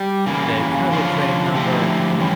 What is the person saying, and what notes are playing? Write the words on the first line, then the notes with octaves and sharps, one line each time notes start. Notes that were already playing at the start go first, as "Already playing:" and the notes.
The cargo train no.
Already playing: G3
C#3 E3 A#3
D3 F3 C#4 F4
D3 F3 A3 E4 G4
E3 G3 C#4